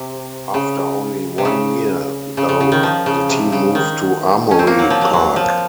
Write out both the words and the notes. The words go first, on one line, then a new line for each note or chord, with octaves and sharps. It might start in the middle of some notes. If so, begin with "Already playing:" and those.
After only one year, though, the team moved to Armory Park.
Already playing: C3
C#3
C3
C#3
C#3
C#3
C#3
D#3
F3
C#3
C3
C#3
D#3
C#4
C4
A#3
F#3
F3
F#3
F#3
F3